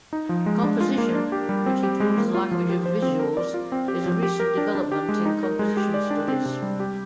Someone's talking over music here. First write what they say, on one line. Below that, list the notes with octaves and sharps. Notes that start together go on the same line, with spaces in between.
Composition, which includes the language of visuals is a recent development in composition studies.
D#4
F3
G#3
D4
F4
A#3
D4
G4
G3
C4
G4
G#3
A#3
F4
F3
G4
C5
C4
A#4
D5
F4
C4
G4
F3
G4
A#4
D4
D4
G4
G#3
D#4
A#4
G#3
G4
D5
D4
C4
C3
G3
G4